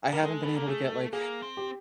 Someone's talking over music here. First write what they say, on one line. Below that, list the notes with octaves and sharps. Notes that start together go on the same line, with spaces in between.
I haven't been able to get, like,
G3 A#4
G#3 A4
B3 A4
A#3
A3 G#4
A4
A#3 G#4
C4
G4